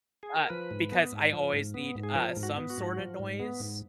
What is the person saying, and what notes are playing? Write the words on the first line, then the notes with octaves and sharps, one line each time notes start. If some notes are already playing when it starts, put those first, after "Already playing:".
uh, because I always need, uh, some sorta noise.
G#4
A#4
F3 B4
G#2
B3
G#2
F3
G#2
B3
G#2
G#4
F3 A#4
G#2
F#4
B3
F#4
G#2
F3
G#2
B3
G#2